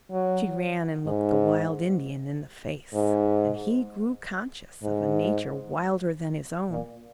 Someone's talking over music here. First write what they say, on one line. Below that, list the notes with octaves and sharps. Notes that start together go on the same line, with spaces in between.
She ran and looked the wild Indian in the face, and he grew conscious of a nature wilder than his own.
F#3
G#2
G#2
G#2
A#2